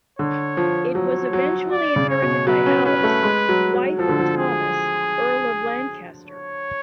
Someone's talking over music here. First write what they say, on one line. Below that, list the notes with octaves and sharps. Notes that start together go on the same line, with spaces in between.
It was eventually inherited by Alice, wife of Thomas, Earl of Lancaster.
D3 C#5
F3
F#3 C#5
F#3
D5
C#3
C#5
B2
F#3 B4
C#4
C#4 B4
A3
G#3
F#3
F#3
F3 A4
D3
F3
G#4
C#5